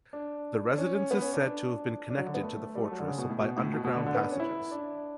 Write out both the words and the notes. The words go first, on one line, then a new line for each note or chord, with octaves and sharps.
The residence is said to have been connected to the fortress by underground passages.
D4
D4
C#4
C#4
B3
C#4
D4
D4
D4
F#3
D3
B3
A3
G3
A3
F#3
D3
C#3
B2
A2
B2
A2
B2
B2
D3
D3
B3
D4
C#4
E4
D4